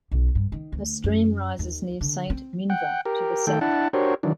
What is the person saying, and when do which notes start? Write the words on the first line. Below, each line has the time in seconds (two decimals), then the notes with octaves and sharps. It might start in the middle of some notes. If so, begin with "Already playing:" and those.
A stream rises near Saint Minver to the south.
0.12 B1
0.35 G2
0.52 D#3
0.72 D2
1.04 F#2
1.59 D#2
2.01 D3
2.30 C4
2.70 F#5 G5
3.05 G4 A#4
3.47 D#3 A3 A4 G5
3.61 D4 E4 F#5 A5
3.93 D4 F#4 G4 A#4 C5 C#5
4.23 D#3 E3 F#3 D4